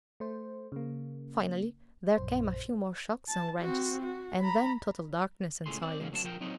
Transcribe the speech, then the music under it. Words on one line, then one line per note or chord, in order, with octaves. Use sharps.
Finally there came a few more shocks and wrenches, and then total darkness and silence.
A3 C5
C#3 A#3
A#1 F#2 C5
A5
C4 F#4
F#4
A#5 B5
C#2 F#2 A2 A3 G#4 C6
C4 D5
G#2 C#3 G#3 A#3 C#4
D2 F#3 A#3 C4 G#4 A5
F3 A#4 G5
F#3 C4 D#4 F4 C#5 D#5